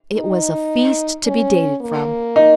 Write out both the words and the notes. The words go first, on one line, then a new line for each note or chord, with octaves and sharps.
It was a feast to be dated from.
D#4
C#4
A#3
D#4